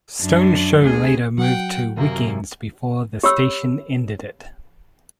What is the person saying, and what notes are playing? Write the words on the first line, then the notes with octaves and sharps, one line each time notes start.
Stone's show later moved to weekends before the station ended it.
F#2 D4
D2 G#4
F#3 F#5 G5
F#2 C3 A#3
G4 C#5 B5 E6